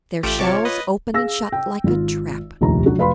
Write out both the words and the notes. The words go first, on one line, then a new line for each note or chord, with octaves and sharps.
Their shells open and shut like a trap.
A1 A3 F4 G4 D7
C3 C#5 A5 C#6 D6
B4 D#5
G#4 F5 E6 A#6
G5
G#1 F4
F1 A#1 D#2 G4 A#5
F#3 D4 F#4
F1 B4 F5 B5 C6